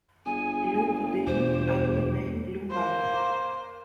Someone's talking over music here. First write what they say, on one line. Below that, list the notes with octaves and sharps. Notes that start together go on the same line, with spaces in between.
Lou continued under the name "Lou Bandy".
G1 G#4 G#5
E2 B2 G4 C5
A#3 C5